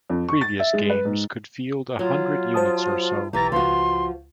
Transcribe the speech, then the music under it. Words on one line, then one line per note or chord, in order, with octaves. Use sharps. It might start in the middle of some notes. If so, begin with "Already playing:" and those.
Previous games could field a hundred units or so.
F2
C#6
A6
E5
G#3
B4
G#2
F#3 F4
C5 A5 D#6
B1 E3 G4 A#5 A6
C#2 F3 F#4 C6